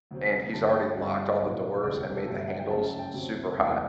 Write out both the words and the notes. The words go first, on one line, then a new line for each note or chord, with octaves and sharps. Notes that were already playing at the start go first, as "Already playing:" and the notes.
and he's already locked all the doors and made the handles super hot,
D2 C3 F#3 C4
G2 D3 G3 A5
G5
G5
G1 G2 D3 G3 F#5
E5
D5
E5
B1 A2 F#3 F#5
E1 D2 C3 E3 D5
G4
G4
A4
G2 D3 F#3 A3 G4
E5
F#5
G5
F#1 F#2 F#3 A3 A5
A5
G5
D2 C3 F#3 C4
E1 E2 D3 A3